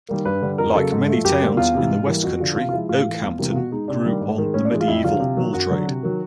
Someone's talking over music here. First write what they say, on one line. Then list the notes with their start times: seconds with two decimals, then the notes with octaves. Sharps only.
Like many towns in the West Country, Okehampton grew on the medieval wool trade.
0.09 D#3 G3 A#3
0.25 G2 B4
0.42 D3 G3
0.58 F2 A#4
0.74 C#3 F#3 A#3 A4
0.92 G#2
1.08 F3 A3
1.24 F#2 G4
1.41 D3 G3 A#3
1.57 E2 F4
1.74 C3 E3
1.90 G#2
2.07 E3 G3 A#3
2.23 F2 F#4
2.40 D3 F3
2.56 C3 F4
2.69 F4
2.73 F3 G#3 E4
2.89 A2 F4
3.06 E3 A3
3.23 E2
3.39 C3 E3 G3 A#3
3.51 F4
3.56 B2 F#4
3.71 G#3 D#4
3.88 C3 D4
4.05 D#3 G3 A#3
4.21 G#2
4.38 D#3 G#3
4.54 A2 C#4
4.65 D4
4.71 E3 G#3
4.81 F4
4.88 F2 E4
5.04 D3 F#3 F4
5.20 C3
5.37 D#3 F#3 A#3
5.53 F#2 F#4
5.70 D3 F#3
5.87 C3
6.03 D#3 F#3